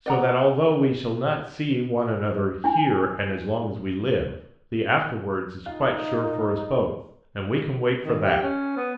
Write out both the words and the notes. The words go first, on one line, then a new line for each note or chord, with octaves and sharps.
So that although we shall not see one another here and as long as we live, the afterwards is quite sure for us both. And we can wait for that.
D5 F#5 A#5
D4 E4 G#5
D#4 F4
D#3
G4
C#4
B3